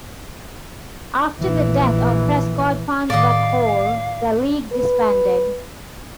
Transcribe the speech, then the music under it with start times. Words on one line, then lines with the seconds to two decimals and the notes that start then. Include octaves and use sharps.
After the death of Prescott Farnsworth Hall, the League disbanded.
1.40 A#1 E3
3.10 A2 D#3 D5 D#5 F5
4.73 B4